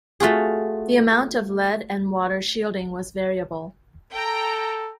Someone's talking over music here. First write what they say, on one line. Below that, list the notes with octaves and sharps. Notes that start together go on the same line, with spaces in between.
The amount of lead and water shielding was variable.
A3 F4 F#4 G#4
A4 G5 A#5